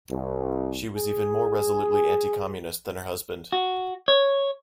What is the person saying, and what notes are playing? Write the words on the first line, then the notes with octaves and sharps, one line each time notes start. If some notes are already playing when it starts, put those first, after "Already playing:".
She was even more resolutely anti-Communist than her husband.
C2
G#4
F#4
C#5